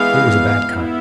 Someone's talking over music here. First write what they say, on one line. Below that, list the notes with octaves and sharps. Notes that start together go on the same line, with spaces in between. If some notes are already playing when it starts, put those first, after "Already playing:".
It was a bad cut.
Already playing: E3 G#3 B3 F5
B3 E4